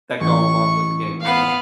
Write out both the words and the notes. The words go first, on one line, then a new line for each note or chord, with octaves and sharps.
that go along with the game as well.
A1 C#6
B3 F5